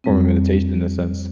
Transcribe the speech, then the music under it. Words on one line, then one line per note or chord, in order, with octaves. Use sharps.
form of meditation in a sense,
F2 G3 C4